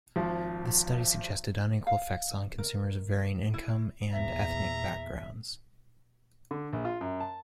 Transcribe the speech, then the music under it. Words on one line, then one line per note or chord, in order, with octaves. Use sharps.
The study suggested unequal effects on consumers of varying income and ethnic backgrounds.
G#1 F3
F5
A#4
E4
E2 A#2 E5 A#5
D3
A#1
F4
F#2
A5